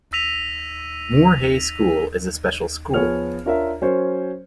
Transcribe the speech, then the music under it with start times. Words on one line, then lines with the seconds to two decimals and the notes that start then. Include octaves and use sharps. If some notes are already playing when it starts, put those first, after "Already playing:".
Moor Hey School is a special school.
0.13 E6 A#6 B6 D#7 F7
2.94 F3 B3 G#4 C#5 F6 F7
3.46 D4 F4 A#4 C#5 E5
3.81 F#3 C#4 A#4 C5 C#5